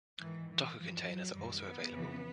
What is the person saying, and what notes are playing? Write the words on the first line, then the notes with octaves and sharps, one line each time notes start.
Docker containers are also available.
G#2 D#3 E3
E3
G2 E3 F3
F#3
F#2 D#3 G3
B3
F2 C#3 E3